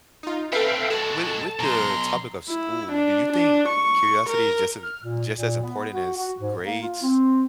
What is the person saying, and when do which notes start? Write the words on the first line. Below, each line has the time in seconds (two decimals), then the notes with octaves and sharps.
with with the topic of school, do you think curiosity is just a just as important as grades,
0.23 D#4 F4
0.53 C4 C#4 A4 B4 E5 F5 G5
0.90 G#3 F#4 A4 A5
1.59 B1 B2 A#5 C6
2.49 E4
2.92 D4
3.33 D4
3.68 C#6
4.29 A#4
4.83 F6
5.04 A#2
5.33 A#2
5.63 B3
5.93 F#4
6.17 F#4
6.40 G#2
6.63 A#3
6.82 F4
7.03 C4